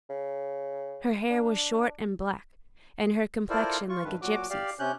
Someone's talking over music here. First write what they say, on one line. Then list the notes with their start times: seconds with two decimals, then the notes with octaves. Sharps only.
Her hair was short and black, and her complexion like a gypsy's.
0.10 C#3
1.30 D4
3.50 E4 F4 A4 A#4 C5 D5
3.89 F4 C#6
4.04 G2 D#3 B4
4.22 A#2 F#3 F#4 D6
4.50 G4 D5 F5
4.79 C3 C#4 F#6 G6